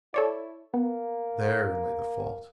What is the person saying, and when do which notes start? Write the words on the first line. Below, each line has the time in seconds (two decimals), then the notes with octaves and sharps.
There lay the fault.
0.14 E4 A4 C#5 D5
0.74 A#3 B3